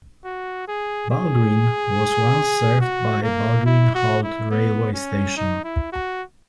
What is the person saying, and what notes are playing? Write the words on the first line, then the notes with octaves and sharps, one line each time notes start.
Balgreen was once served by Balgreen Halt railway station.
F#4
G#4
G#4
F#4
A#3
E4
F#4
E4
B3
C#4
D#4
E4
F#4